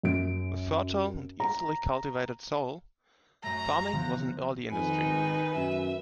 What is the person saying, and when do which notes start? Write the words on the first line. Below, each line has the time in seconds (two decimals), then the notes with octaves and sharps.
With fertile and easily cultivated soil, farming was an early industry.
0.03 F#2 D7
1.40 A#5
3.43 F#2 A3 A#5
3.93 D3 E3 F3 B3 F#6
4.72 F2 D#3 D#4 B4 G#5
5.06 G#1
5.55 F#2 E5